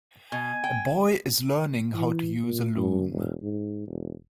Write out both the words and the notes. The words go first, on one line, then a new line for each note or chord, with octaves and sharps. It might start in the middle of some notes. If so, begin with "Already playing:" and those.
A boy is learning how to use a loom.
B2 G#5
G5
E3
A#2
F#2
E1
G#2
E1